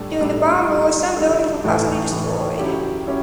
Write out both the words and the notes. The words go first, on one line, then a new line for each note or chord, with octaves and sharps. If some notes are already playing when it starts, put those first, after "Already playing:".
During the bomb war some buildings were partially destroyed.
Already playing: A2 G3 D4 A4
A2 G3 D4 A4
G3 D4 A4
G3 D4 A4
A2 E3 A3
A2 E3 A3
F#3 C#4 E4 G4
F#3 C#4 E4 G4